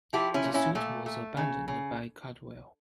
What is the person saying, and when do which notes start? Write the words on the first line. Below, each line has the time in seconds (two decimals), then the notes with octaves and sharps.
The suit was abandoned by Caldwell.
0.13 F3 E4 G4
0.34 C#4 E4
0.44 A#2
0.54 C#4 E4
0.75 A#2 A3
1.06 A3
1.37 C#3
1.68 C#3